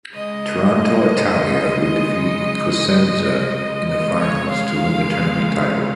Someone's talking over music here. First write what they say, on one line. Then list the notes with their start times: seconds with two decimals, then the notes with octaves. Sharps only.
Toronto Italia would defeat Cosenza in the finals to win the tournament title.
0.13 C#3 G#3 D#5
3.87 C#3 G#3 D#5
4.19 C#5
4.50 F5